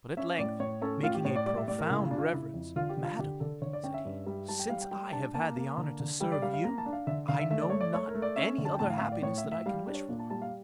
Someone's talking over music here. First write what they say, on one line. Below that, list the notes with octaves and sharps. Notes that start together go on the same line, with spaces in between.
But at length, making a profound reverence, "Madam," said he, "since I have had the honour to serve you, I know not any other happiness that I can wish for."
C#4 E5
A2 D5
A2 C#5
C#4 A4
A2 F4
G4
A2 C#5
D5
G3 D5
E5
A2 D5
A#4
C#3 E4
F4
D4
F4
C#3 E4
F2
D3 F4
G4
D3
F4
D3 G4
D3 A4
D3 C#5
D5
C#4 G5
E5
G2
G3
G3 A5
G5
G3 F5
G5
G3 G5
D4 A5
A#3 A5
A#3
D3
D3
G3 G5
D5
G3 F5
F5
A#3 A#5
A5
D4
F5
D3 E5
D3 F5
E5
A3 E5
D5
A3 C#5
D5
A3 C#5
A#4
A3
D5
C#4 E5
D3
A5
G5
A2 A5
F5
E5
A2 F5
D5
A2 C#5
E5
A2
E5
G3 F5
D4
C#5
A#2
A5
G3 A5
F5